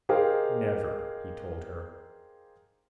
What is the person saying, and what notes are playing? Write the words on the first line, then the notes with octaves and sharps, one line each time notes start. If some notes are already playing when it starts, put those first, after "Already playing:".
"Never," he told her.
D#4 G4 G#4 A#4 C5 F5